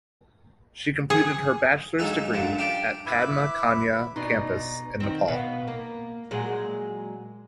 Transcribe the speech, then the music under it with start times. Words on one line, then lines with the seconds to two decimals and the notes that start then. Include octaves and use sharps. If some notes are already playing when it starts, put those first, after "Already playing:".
She completed her bachelor's degree at Padma Kanya Campus in Nepal.
1.10 G#4
1.98 A#1 F#3 G#3 D#4 G#4 A4
2.33 F#2 A#2 D3
2.58 D4 F4 G4 G5
3.06 E4 B4 E5 B5 D6
4.16 B2 D#4 D5 D#5 A#5 C6
5.00 D#3 C4
5.28 B2 B3 F5
5.68 A#3
6.31 A#2 F#3 G#3